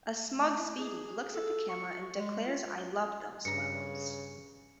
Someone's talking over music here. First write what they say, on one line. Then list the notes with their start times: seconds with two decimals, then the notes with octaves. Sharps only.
A smug Speedy looks at the camera and declares I love those fellows.
0.35 A3
0.58 E4
0.79 G#4
1.34 A4
1.69 C#6
2.19 G#3
2.46 F4
3.45 G2 C#3 A#5 C#7